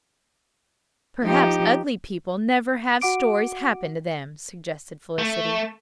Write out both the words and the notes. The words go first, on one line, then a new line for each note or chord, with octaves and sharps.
"Perhaps ugly people never have stories happen to them," suggested Felicity.
F3 D#4 G4
F#4 F#5 D6 D7
A3